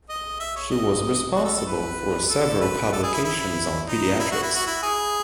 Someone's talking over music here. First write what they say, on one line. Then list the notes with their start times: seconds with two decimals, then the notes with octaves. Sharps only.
She was responsible for several publications on pediatrics.
0.09 D#5
0.40 E5
0.56 C#5
0.71 D#5
1.36 F#4
1.45 A4
1.57 A4
1.67 B4
2.30 A4
2.61 B4
2.93 A4
3.03 G#4
3.14 E4
3.25 E4
3.87 D#4
4.19 E4
4.32 F#4
4.43 E4
4.55 F#4
4.67 E4
4.83 G#4